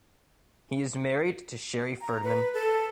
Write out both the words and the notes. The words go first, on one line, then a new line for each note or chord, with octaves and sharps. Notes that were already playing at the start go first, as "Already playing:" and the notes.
He is married to Sherry Ferdman.
A#5
B4
A4